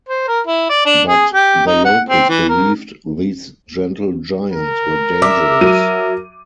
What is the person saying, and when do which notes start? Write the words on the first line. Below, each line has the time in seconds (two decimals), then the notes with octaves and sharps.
But the locals believed these gentle giants were dangerous.
0.09 C5
0.28 A#4
0.47 E4
0.69 D5
0.86 D4
1.08 G#4
1.33 G4
1.67 D#4
1.85 F#5
2.09 C4
2.29 E3
2.49 A#4
4.52 A#4
5.22 E5 D6
5.61 F#3 D#7